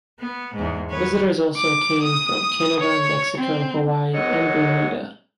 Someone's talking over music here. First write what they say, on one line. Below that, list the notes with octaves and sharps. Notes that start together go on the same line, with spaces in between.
Visitors also came from Canada, Mexico, Hawaii and Bermuda.
B3
E2 G#2
D#3 B4 C#5
D6
D#6
C#5
C4
D#2 G#2 F#3 C#5 D#5